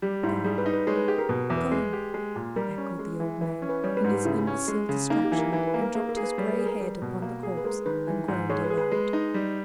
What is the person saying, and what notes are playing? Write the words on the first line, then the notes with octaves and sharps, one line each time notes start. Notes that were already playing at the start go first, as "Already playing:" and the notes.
"Gone! gone!" echoed the old man, in his imbecile distraction, and dropped his gray head upon the corpse, and groaned aloud.
G3 G4
G#2 E4
G3 G#4
B4
D#4
B4
G#3 C#5
B4
G4 G#4
A#4
B2 B4
E2
B4
G#3
G4
G#3
A#2
G3 A#4
C#4
G#3
E3
E3 B4
C#4
B4
G3 C#5
B4
G#2
G4
C#3 E4
C#4
G#3
C#3
A#3 D#4
G4
E3
A#4
E3 B4
B4
A#3
A#4
A#3 G#4
A#4
G#4
B4
G3 C#5
B4
G#4
A#4
G3
B2
A#3
G#4
B4
G#3 A#4
D#3 B4
E3
G#2
G#3 C#5
B4
G#4
B4
G#3 B4
D#4
G3